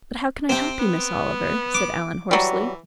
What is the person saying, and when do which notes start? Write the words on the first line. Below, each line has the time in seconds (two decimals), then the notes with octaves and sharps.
"But how can I help you, Miss Oliver?" said Alan hoarsely.
0.49 C3 C4 G5
0.79 B3
1.74 D6
2.31 E3 F#3 G3